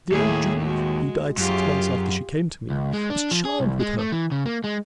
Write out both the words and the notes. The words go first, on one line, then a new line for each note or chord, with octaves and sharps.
The old Duke--he died six months after she came to me--was charmed with her.
D#2 A2 E4 G#4
G#3 F#4
F#2 F4 G4 G#4
C#2
G#3
D4
F3
G#4
C2
G#3
A3
E3
C#3
A#3
G#3